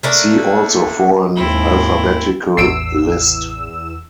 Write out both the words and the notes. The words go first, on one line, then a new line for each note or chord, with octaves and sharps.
See also for an alphabetical list.
A3 A#3 D4
D#2 G#2 C4 E4
A1 E2 E6 C7 D7